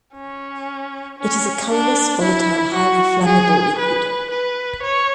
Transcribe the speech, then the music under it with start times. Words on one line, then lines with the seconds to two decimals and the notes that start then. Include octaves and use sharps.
It is a colourless, volatile, highly flammable liquid.
0.14 C#4
1.18 C#4
1.70 D4
2.22 E4
2.74 F#4
3.26 G#4
3.78 B4
4.30 B4
4.83 C#5